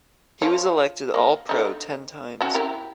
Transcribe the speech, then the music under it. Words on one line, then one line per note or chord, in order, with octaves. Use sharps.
He was elected All Pro ten times.
F3 C#5
A#3
D3 D#4
C#4 F#4
E4 G4 A#4